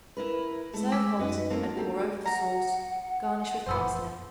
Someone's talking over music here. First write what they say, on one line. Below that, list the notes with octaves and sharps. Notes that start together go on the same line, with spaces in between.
Serve hot, and pour over the sauce; garnish with parsley.
E4 A#4 B4
G#3 A3 E4
G#3 D6 E6 B6
F#2 C#4 D#4 F#4 B4 D#5
A3 A#3 C4
D2 A#3 F#4 G4 A4
F#5 A#5
F#1 F2 A#2 B3 A4 C5